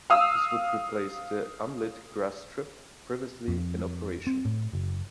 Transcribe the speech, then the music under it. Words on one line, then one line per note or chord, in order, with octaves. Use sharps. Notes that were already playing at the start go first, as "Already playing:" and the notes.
This would replace the unlit grass strip previously in operation.
F5 D#6 E6
F2
C4
A2
F#1